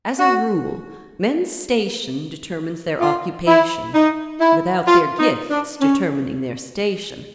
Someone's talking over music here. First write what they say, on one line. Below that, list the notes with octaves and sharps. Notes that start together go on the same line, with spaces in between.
As a rule, men's station determines their occupation without their gifts determining their station.
F#4
F4
E4
D#4
E4
F4
D#4
D4
C#4